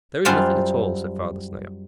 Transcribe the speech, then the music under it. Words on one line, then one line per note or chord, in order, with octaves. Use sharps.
"There is nothing at all," said Father Snail.
F#2 G3 F4 C5 F5 F#5